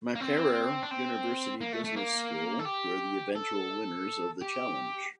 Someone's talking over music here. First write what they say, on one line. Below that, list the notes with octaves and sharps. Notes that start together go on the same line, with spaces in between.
Makerere University Business School were the eventual winners of the challenge.
A#3
C4
D4
C4
A#3
A3
A3
A#3
A4
G4
A4
G4